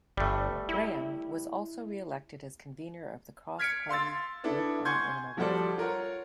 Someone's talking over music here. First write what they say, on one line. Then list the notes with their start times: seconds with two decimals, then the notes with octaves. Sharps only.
Grahame was also re-elected as Convener of the Cross Party Group on Animal Welfare.
0.17 G1 G3 A3
0.69 E4
3.59 F6 G#6 B6 C#7 D7
3.89 F5 C6 E6 A6
4.44 B3 D4 E4 A4
4.85 F#5 G#5 C6 C#6 G6 G#6
5.37 F3 G3 F#4 A4 C5 D5
5.78 F4 A#4 C#5 F#5